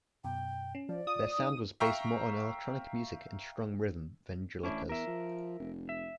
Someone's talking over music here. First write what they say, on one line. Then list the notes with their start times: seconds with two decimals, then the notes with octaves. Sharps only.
Their sound was based more on electronic music and strong rhythm than Juluka's.
0.24 F#2 B2 G5
0.75 C#4
0.89 F3 D5
1.07 F4 D#6
1.39 D#4
1.80 E5 F5 G5 A#5 C#6
4.63 A1 C#4 D4 E4
4.89 E2 A#4 E5
5.07 F3
5.59 F1
5.89 E5